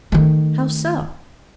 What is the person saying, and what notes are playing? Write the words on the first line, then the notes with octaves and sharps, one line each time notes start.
"How so?"
D#3 A3